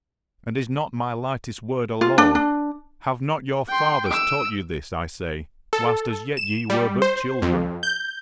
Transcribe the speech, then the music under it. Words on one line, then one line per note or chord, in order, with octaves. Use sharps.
And is not my lightest word a law? Have not your fathers taught you this, I say, whilst as yet ye were but children?
F4
D4
D4
G5 C6
E6 D7
A4
E7
G3
C5
F2
G6